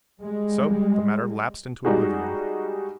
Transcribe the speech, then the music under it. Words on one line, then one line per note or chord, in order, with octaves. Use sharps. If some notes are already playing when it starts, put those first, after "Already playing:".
So the matter lapsed into oblivion.
G3 G#3
G3 G#3 D#4 F#4 G#4